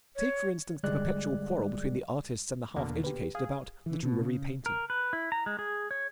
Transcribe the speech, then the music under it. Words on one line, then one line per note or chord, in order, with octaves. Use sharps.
Take, for instance, the perpetual quarrel between the artists and the half-educated about literary painting.
C#5
G1 D3 G3 G#3 D5 F#6
E2 B2 D3 A#3
G4 B4
G#4 F5
E3
B2
C#3
A#4
B4
E4
A#5
G#3
G#4
C#5